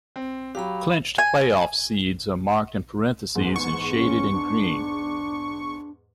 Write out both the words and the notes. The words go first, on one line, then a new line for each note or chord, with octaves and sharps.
Clinched playoff seeds are marked in parentheses and shaded in green.
C4
F#3 G4 F5 B5
G#5
E2 G#2
C#6
C#4
D4